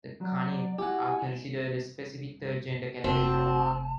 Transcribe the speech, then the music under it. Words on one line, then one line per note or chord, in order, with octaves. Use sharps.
The "khanith" are considered a specific third gender category in Oman.
F#3 D5
E4 F#4 G4 F#5 G#5
F1 C4 F#4 A5